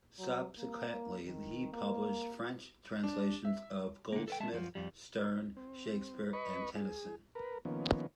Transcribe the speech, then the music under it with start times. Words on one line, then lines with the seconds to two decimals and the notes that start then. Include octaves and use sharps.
Subsequently he published French translations of Goldsmith, Sterne, Shakespeare, and Tennyson.
0.19 F#3
0.58 A#3
1.24 D#3
1.72 A#3
3.04 D4
3.45 E5
4.13 D3 A#3
4.28 A4 B4 G5
4.40 G#3 E5 A5
4.52 F#2 F3
4.75 F2 G3
5.57 C4
6.33 B4 D#5 B5 C#6
6.75 G#4
7.35 A#4 B4
7.65 D#3 F3 A#3 B3 C#4